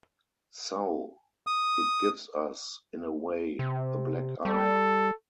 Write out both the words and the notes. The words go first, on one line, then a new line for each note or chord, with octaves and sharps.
So, it gives us, in a way, a black-eye.
D#6
C3
G3 A4